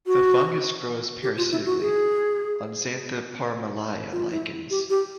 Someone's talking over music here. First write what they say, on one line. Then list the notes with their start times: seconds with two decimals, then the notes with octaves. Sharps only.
The fungus grows parasitically on "Xanthoparmelia" lichens.
0.07 F#4
1.23 G4
1.37 F4
1.52 E4
1.66 F#4
1.81 G#4
4.12 F4
4.31 E4
4.70 G4
4.90 G4